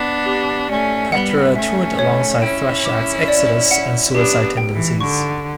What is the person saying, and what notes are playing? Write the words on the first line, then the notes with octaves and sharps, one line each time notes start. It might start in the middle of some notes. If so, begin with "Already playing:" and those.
Pantera toured alongside thrash acts Exodus and Suicidal Tendencies.
Already playing: B3 D4
G4
A3 C#4 D5
G3 B3 F#5
A3 C#4 E5
C#5
C#4 E4 G5
D6
D5
F#5
B3 D4 G4
G5
E3
D3 C#6